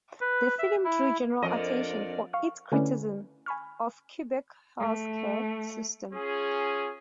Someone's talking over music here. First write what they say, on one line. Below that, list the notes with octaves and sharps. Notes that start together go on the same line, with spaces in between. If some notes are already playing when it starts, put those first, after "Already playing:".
The film drew general attention for its criticism of Quebec's health care system.
B4
E5
E4
F2 D4 A#4 D5 D#5
F5 C#6 F6
D3 A3 C#4 E4 B4 D5
G#5 B5 C#6 F6
A3
C#4 F4 G#4